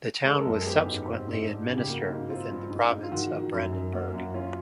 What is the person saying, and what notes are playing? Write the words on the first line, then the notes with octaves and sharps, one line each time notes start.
The town was subsequently administered within the Province of Brandenburg.
G#3 A4
A#4
A4
F#2
G#4
B3 G4
G#2
C4
G#2
D4
C#3
G4
A#3 F#4
G#2
C4 F4
G2
G#2
G#2
F4
D#3 F#4
D#3
F#2
F#2
A#3 F#4
F#2 F#4
C#4 F4